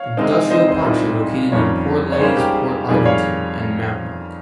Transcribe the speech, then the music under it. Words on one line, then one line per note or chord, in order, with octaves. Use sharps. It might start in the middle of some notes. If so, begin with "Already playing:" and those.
Industrial parks are located in Portlaoise, Portarlington and Mountmellick.
Already playing: C#5 F5
C3 D#3 G#3 C4 D#4
C5 D#5
C5 D#5
C2 A#2 G3 C4 D#4
F2 D#3 G3 C#4 A#4 C#5
C#5
G#2 G3 A#3 C#4 G#4 C5
G4 A#4
G#4
F2 D#3 G3 A#3 G#4
C#5 F5